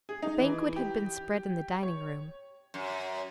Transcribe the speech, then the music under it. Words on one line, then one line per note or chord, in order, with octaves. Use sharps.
A banquet had been spread in the dining-room.
G#4
D#4
E3
G4
C#5
F#2